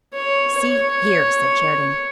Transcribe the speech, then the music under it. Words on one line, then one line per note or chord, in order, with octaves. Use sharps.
"See here!" said Sheridan.
C#5
C#5